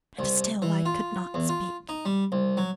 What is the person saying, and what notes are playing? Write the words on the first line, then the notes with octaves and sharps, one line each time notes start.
And still I could not speak.
C2
E3
F4
E2
F4
D#4
G3
C2
F#3